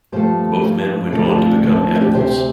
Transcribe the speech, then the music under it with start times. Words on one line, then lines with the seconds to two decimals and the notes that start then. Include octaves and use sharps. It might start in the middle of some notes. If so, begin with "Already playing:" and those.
Both men went on to become admirals.
0.12 G2 F3 A3 G4 C5
0.63 G2 F3 A3
1.12 D2 D3 F3 A3 F4 A4
1.25 D4 G4
1.38 C4 F4
1.50 D4
1.63 D2 D3 F3 A3 C4
1.76 D4
1.88 C4 F4
2.01 D4 G4
2.14 D2 C3 A3 G4 C5